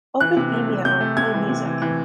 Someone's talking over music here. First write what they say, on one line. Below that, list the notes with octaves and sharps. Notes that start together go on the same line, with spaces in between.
Open Vimeo and play music.
E3 F#6
C3
A3
C3
C3 G6
A3
C3 G#6
E3
C3
E3
E3